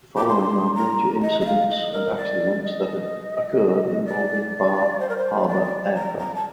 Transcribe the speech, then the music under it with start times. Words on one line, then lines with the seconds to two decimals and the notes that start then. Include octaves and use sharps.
The following are major incidents and accidents that occurred involving Bar Harbor aircraft.
0.17 D6
0.28 C6
0.75 A#5
1.22 D#5
1.41 D#5
1.46 F5
1.69 D#5
1.93 A#4
2.16 D5
2.64 D#5
4.05 D5
5.00 C5
5.09 A#4
5.17 C5
5.47 D5
5.94 A#5
6.18 A#5
6.35 A5